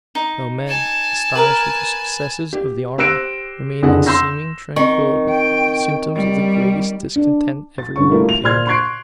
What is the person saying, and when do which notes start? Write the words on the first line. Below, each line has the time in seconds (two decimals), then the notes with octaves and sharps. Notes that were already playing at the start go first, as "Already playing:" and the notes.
Though men, astonished with the successes of the army, remained in seeming tranquillity, symptoms of the greatest discontent every where appeared.
0.15 D#4
0.67 G#5 A5
1.35 A#4 B4
2.53 G4
2.98 G4 C5 E6 F#6 A#6 D7
3.82 F#1 F2 D3 G#4 F#5
4.06 C6 E6 G6 A#6
4.76 D#3 C4 C#6
5.30 G5
6.15 G3
7.16 D4
7.78 A6
7.96 G1 D3 C#4 C#6
8.10 G3 A3 A#3 E4 F4
8.29 F7
8.43 A#2 C5 D5 C6 F6 G#6
8.67 C6 C#6 F#6 G#6 C7 D7